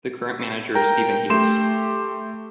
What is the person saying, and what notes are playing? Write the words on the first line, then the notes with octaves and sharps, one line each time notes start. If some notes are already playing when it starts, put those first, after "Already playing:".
The current manager is Stephen Hughes.
A#4 G5 A#5
A3 G4 C6 E7